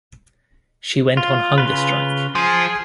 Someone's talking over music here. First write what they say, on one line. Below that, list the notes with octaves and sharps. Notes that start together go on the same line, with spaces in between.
She went on hunger strike.
F4
C#3 F4 B4
F3 G#4